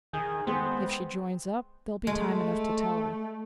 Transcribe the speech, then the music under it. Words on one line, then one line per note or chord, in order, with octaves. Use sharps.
If she joins up, there'll be time enough to tell her.
D#3 G#4 G6
G#3 B3 C4 G#4 C5
G#3 A3